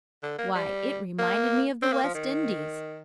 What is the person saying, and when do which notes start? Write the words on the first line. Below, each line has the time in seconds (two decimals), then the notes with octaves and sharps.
Why, it reminded me of the West Indies.
0.23 D3
0.38 A#3
0.55 G3
1.19 A#3
1.83 C4
1.93 A#3
2.04 F3
2.15 D#3